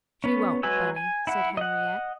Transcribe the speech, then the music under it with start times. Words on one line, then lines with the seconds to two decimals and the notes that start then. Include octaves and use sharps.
"She won't, Bunny," said Henriette.
0.24 B3 C#4
0.63 F#3 G#3 B4 G#5 E6
0.96 G#5
1.27 E4 F#5
1.57 D#5 F#5